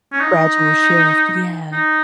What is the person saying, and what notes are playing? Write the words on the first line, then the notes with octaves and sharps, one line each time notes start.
Gradual shift, yeah.
C#4
D#4
D#4